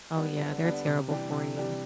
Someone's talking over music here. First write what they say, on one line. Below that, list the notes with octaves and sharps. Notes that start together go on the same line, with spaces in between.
Oh yeah, they're terrible for you.
G3 B3 D4
D3
G3 B3 D4
C3
E3 G3 D4 G4
C3
E3 G3 D4 G4